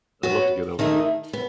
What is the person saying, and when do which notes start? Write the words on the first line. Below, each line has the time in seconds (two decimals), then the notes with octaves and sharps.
I'd love to get over that.
0.23 B3 F#4 C#5
0.79 D#3 A3 D#4 G#4
1.33 B3